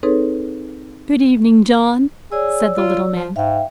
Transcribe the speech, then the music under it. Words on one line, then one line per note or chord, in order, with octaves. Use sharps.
"Good evening, John!" said the little man.
C4 D#4 G#4 A4 B4 C#5
G#4 C#5 D5 E6
F4
F3
G#2 E5 F5 G5